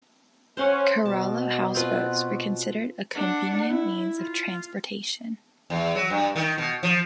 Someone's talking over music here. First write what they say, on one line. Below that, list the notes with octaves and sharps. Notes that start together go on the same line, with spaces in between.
Kerala houseboats were considered a convenient means of transportation.
C#4 C5 F5 F#5
B2 A5
C4 F4 B4
D4 F#5
E4
F4
E2
F#3
G2
D#3
B2
F3